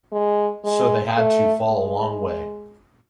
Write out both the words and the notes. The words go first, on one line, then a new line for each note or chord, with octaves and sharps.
So they had to fall a long way.
G#3
G#3
A3
G#3